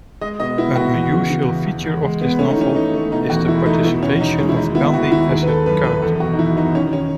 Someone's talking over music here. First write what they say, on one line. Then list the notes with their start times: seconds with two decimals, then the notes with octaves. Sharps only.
An unusual feature of this novel is the participation of Gandhi as a character.
0.21 G#3 D#5
0.40 B2 D#5
0.58 B3 E4
0.75 B3 F#4
0.94 E2
1.12 C#3
1.30 C#3
1.49 E2
1.66 E2
1.84 E2
2.03 G#3
2.21 B3
2.39 A3 C#4
2.50 D#4
2.57 E3 C#4
2.75 A3 D#4
2.94 A3
3.12 B2 D#4
3.30 E2 F#4
3.48 E1 E4
3.66 A3 D#4
3.84 B2 E4
4.03 E2 C#4
4.20 E2 D#4
4.38 G#3 C#4
4.49 E4
4.57 D#2 D#4
4.75 B3 E4
4.93 D#2 F#4
5.11 D#2 E4
5.29 D#3 G#4
5.43 B4
5.48 D#3 A4
5.66 F#2 B4
5.84 F#2 B4
6.02 E2 A4
6.20 B2 F#4
6.33 D#4
6.39 E2 E4
6.57 B2 D#4
6.75 D#3 C#4
6.93 D#3 C#4